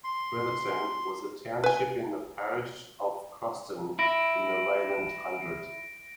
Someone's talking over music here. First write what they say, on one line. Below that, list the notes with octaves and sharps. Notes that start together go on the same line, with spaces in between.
Bretherton was a township in the parish of Croston in the Leyland hundred.
C6
B4 G#5
E4 A#6 D7